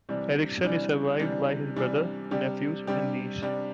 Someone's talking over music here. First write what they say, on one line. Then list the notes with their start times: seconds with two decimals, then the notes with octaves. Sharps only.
Erickson is survived by his brother, nephews, and niece.
0.09 C3 E3 G3 D4
0.64 C3 E3 G3 D4
1.19 C3 E3 G3 D4
1.76 C3 E3 G3 D4
2.31 C3 G3 D4 G4
2.87 C3 G3 D4 G4
3.42 C3 G3 D4 G4